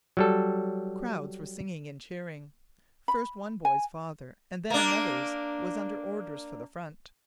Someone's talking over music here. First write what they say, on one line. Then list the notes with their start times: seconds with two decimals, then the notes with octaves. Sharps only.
Crowds were singing and cheering. First one boy's father and then another's was under orders for the front.
0.17 F#3 G3 A4
3.08 B5
3.65 G#5
4.70 A#3 D4